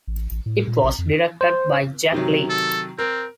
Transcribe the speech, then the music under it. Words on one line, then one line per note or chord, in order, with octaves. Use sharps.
It was directed by Jack Lee.
A1
A1
A2
A#2
A#1
F2
C5
C3 D#3 F#3
A4
C4 A#4